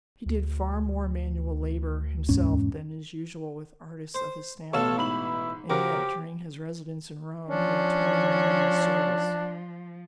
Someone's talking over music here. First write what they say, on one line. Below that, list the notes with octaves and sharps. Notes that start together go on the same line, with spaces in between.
He did far more manual labor himself than is usual with artists of his standing, and yet, during his residence in Rome he had twenty men in his service.
D2
E2 G#2 C#4
C5
A1 B2 A4 C#5 F5 E7
G#2 E4 B5 F#7
C#3 F3 F#4 G4 A#4
F3 C#4 D4